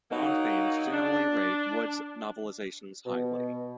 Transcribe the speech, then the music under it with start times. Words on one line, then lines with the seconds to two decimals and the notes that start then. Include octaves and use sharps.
Bond fans generally rate Wood's novelisations highly.
0.11 F#3 A#3 D#4
0.92 D4
3.05 B2